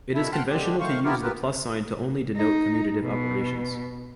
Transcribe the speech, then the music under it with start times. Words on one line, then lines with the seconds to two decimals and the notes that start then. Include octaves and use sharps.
It is conventional to use the plus sign to only denote commutative operations.
0.15 A#2 D#3 E4 A4 E5
0.33 F#5 G5 A5 C6 F6 F#6
0.49 D3 G#3 C4 D4 G4
0.80 D#3 A3 C5 F5 C#6
1.04 A#3 B3 E4 F4 G4 A#4
1.22 B3 F4 G4 A#4 B4
2.36 D#4
3.00 B2